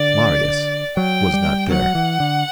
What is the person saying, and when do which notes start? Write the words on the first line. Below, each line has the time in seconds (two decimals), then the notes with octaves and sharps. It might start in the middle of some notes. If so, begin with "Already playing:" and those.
Marius was not there.
Already playing: D3 D5
0.97 F#3 G5
1.34 G3
1.70 F#3 F#5
1.95 E3
2.20 D3